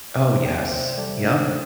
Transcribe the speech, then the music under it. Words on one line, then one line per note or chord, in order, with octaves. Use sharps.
Oh, yes. Yep.
C3 C5 E5
E3 D5 G5
G5
C3 C5 E5
G3 A4 D5
C3 A3 D4
E3